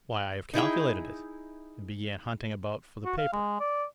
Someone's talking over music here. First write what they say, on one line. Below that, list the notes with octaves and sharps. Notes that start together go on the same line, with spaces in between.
"Why, I have calculated it," and began hunting about for the paper.
D#4 E4 G#4 G5
F#4
F5
G#3
D5